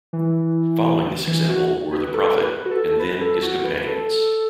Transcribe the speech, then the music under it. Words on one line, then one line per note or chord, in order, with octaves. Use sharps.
Following this example, were the Prophet and then His Companions.
E3
E3
F#4
B4
A4
B4
F#4
A4
B4
A4
F#4
B4
A4